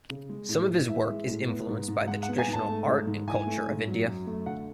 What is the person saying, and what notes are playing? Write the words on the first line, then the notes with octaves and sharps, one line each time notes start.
Some of his work is influenced by the traditional art and culture of India.
C#3
G#3
A2
A2
E3 E5
G#3
A2
B3
G#2
G#2
G#3 F#5
F#5
B3
G#5
G#2
A5
A3
G#2
G#2
E3 G#5
A3
G#2
F#3
F#2
A3
D3 F#5